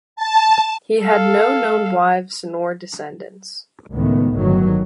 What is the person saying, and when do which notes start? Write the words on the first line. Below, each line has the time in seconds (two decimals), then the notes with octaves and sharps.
He had no known wives nor descendants.
0.16 A5
1.02 A4 F5
3.91 C#2 A2 D#3 B3
4.37 G1 D#3 F#3